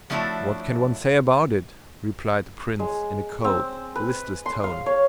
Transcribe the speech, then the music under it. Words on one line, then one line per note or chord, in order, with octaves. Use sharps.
"What can one say about it?" replied the prince in a cold, listless tone.
F3 A3 D4 E4 F#4 C#5
G#3
C4
B4
C6
F5
C#5